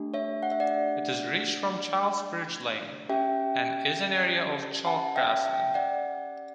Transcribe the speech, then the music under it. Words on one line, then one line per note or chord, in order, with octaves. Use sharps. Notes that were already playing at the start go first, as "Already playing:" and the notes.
It is reached from Childsbridge Lane, and is an area of chalk grassland.
Already playing: A3 D4 G4
C#5 E5
F#5
E5
D5 F#5
C#4 G4 E5 G5
F#5 A5
E5 G5
E5 G5
D5 F#5